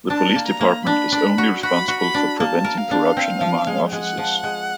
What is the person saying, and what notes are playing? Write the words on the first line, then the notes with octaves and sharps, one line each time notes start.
The police department is only responsible for preventing corruption among officers.
D4 A5
A#3
A#5
A#3
D4 B5
D4
F#4
F#4 B5
F#4
B5
D4
A#3 A5
A#4
F5
D4
C4
F3
G#3
G#3 F#5
F3
G#3